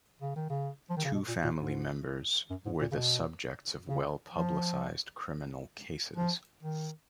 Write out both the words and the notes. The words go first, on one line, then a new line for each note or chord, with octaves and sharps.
Two family members were the subjects of well-publicized criminal cases.
C#3
D#3
C#3
F3
D#3
C#3
B2
A#2
A#2
G#2
F#2
G#2
A#2
C#3
B2
C#3
F3
F3
D#3